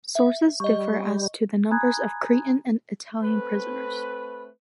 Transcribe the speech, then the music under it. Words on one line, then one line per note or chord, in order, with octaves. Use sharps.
Sources differ as to the numbers of Cretan and Italian prisoners.
E5
G3 D#5 C#6
G#5 A#5 B5 D#6 F#6 G#6
A3 C4 B4